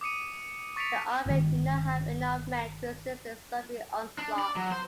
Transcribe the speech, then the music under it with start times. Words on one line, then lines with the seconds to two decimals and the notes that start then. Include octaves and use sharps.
The Army did not have enough men to resist the Soviet onslaught.
0.01 D6 D#6 C#7 D#7
0.76 C#6 A6 B6 C#7 D7 F7
1.26 G1 D#3
4.18 D4
4.39 D5
4.56 F#3
4.72 C5